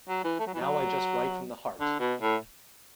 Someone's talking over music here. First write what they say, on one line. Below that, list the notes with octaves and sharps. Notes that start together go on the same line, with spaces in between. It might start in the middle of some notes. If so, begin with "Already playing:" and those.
Now I just write from the heart.
F#3
E3
A3
F#3
E3
F#3
D3
B2
A2